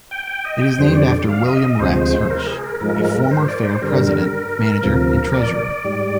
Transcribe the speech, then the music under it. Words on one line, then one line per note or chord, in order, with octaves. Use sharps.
It is named after William Rex Hirsch, a former fair president, manager and treasurer.
G5
G5
D#5
G5
F2 D3 G3 C5
D5
F5
D#5
D#5
D2 C3 F3 G#3 C5
A#4
G#4
A#4
G#2 F3 G#3 A#4
C5
D5
C5
G2 D3 G3 A#4
A#4
D2 C3 F3
D5
G#2 G3